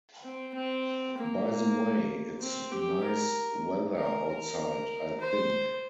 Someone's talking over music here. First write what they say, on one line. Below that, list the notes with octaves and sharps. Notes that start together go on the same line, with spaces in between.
Btw, it's nice weather outside I think.
C4
C4
A#3
C4
G4
A#4
A#4
A#4
C5